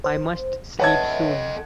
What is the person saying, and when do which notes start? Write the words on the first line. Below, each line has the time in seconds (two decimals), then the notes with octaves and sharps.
I must sleep soon.
0.04 C5
0.80 A4 B4 C#5 D#5 E5 F#5 A5 G#6